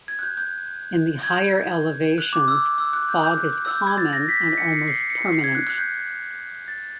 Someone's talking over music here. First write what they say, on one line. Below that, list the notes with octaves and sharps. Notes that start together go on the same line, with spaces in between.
In the higher elevations fog is common and almost permanent.
G#6
F#6
G6
G6
G#6
G6
F#6
D6
E6
E6
F#6
G6
G6
F#6
F#6
E6
G6
G#6
A6
A#6
B6
B6
C#7
C7
C7
C7
C#7
C7
G#6
F#6
F#6
G6
A6